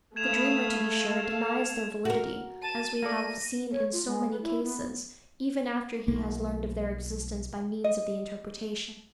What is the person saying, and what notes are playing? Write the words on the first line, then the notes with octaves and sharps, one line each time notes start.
The dreamer to be sure denies their validity, as we have seen in so many cases, even after he has learned of their existence by means of the interpretation.
A3 F5 B5 D#6 G#6 E7 F7
A4 F5
F#4 A#4
A5 D#7
A#3 A4 D5 A#6
C#5
F4
G#3
B4
E4
B3
B1 A#3
D#5